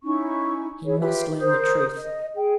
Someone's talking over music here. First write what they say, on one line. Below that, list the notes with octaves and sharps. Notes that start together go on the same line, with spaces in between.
He must learn the truth.
C#4 D#4 E4 C#6
E4 G#4 C#5
F4 G4 B4 E5
A#4 C5 D#6 G6
D#5
G#4 G5